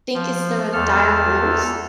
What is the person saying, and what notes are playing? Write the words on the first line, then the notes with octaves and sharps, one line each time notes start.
think it's the dire wolves?
F3
E2 A4 F6